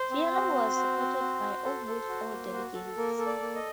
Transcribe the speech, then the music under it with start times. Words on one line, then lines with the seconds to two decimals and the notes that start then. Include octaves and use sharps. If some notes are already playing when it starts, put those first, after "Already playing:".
Fiala was supported by almost all delegates.
Already playing: C5
0.11 C4
0.33 F#4
0.55 C4
0.76 F#4
0.99 C4
1.20 F#4
1.43 F#4
1.65 A4
1.86 A4
2.09 F#4
2.31 A#3
2.53 F#4
2.74 A4
2.97 A#3 A#4
3.19 A4
3.26 D5
3.40 A#3
3.55 D#5